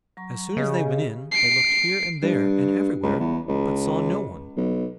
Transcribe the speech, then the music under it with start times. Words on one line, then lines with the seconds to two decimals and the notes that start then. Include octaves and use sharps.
As soon as they went in, they looked here and there and everywhere but saw no one.
0.17 F#3 A#5 C#6
0.57 C#3 G4 G#4 D#5
1.32 C7 D7
2.22 G2
3.03 C#2
3.20 E2
3.48 C#2
4.56 B1